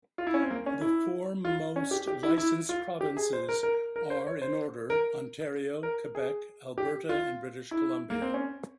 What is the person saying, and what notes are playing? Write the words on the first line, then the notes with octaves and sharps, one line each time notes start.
The four most licensed provinces are, in order, Ontario, Quebec, Alberta and British Columbia.
F4
E4
C#4
C4
A#3
C#4
E4
F4
C#4
G4
G4
E4
E4
F4
G4
G#4
C5
A#4
A#4
A#4
C5
C#5
C5
A#4
A#4
G#4
G4
F4
E4
A#3
C4
C#4